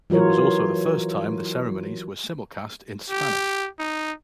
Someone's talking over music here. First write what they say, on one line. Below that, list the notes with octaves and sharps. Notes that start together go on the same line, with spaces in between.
It was also the first time the ceremonies were simulcast in Spanish.
E3 F#3 F4 A#4 C#5
G4
D#4